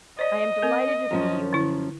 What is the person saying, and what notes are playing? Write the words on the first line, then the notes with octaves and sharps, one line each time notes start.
I am delighted to see you.
C5 D5 D#5
C4 A#4
F#2 F3 C#4
D3 E4